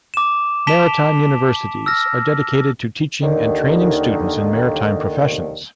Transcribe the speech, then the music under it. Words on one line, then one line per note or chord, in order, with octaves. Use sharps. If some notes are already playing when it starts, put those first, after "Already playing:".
Maritime universities are dedicated to teaching and training students in maritime professions.
D6 E7
A5 B6 D7 E7 F7 G7
E6 F6 A#6
D#2 D3 D#3